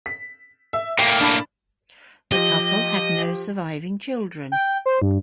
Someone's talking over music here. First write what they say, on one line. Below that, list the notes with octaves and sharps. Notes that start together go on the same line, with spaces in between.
The couple had no surviving children.
B6
E5
A2 A#3 G5
D4 A5 B5
F3 G4 D#5
G5
C5
G2